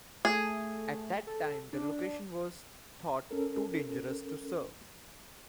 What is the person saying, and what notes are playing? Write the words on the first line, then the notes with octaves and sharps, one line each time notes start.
At that time the location was thought too dangerous to surf.
A3 G#4
A4
D4
C#4 A4 A#4